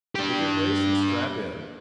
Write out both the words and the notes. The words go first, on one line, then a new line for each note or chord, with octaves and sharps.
"Take your place and strap in."
D4 G4